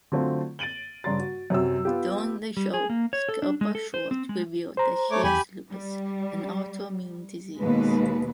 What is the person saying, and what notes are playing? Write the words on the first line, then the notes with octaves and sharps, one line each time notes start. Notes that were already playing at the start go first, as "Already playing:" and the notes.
During the show, Scelba-Shorte revealed that she has lupus, an autoimmune disease.
D3 F#3 A3 C4 F4
A6 D7 D#7 F#7 G7
G2 C#3 D5 A#5 C6 A6
F#4
F#2 C3 F#4 E6
B3 F4 G4
G3
G#4
A#3
C#5
A4
D4
G#3
A4
C5
C4
G#3
C5 A#5
A3 C#5 D6
E2 G4 G#5 B5
G3
D#2 B2 G#3 B4